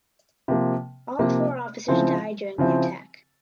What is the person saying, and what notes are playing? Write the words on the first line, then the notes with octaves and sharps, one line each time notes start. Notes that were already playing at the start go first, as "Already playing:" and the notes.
All four officers die during the attack.
C3 F3 A#3
C3 F3 A#3
C#3 F3 C4 E4
C#3 F3 C4 E4